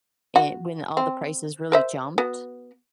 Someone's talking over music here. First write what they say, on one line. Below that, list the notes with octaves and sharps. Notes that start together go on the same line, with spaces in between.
an when all the prices really jumped
F#4
C4
A#4 C5 E5
B3 F#4